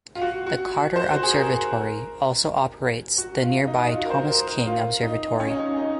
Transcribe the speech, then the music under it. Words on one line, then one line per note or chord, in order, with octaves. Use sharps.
The Carter Observatory also operates the nearby Thomas King Observatory.
F4
F#4
F#4
C5
F#4
G#4
A#4
F#4
F4
D#4
F#4
F4
A#4
C5
A#4
A#4
F4
D#4
C#4
D#4
C#4
D#4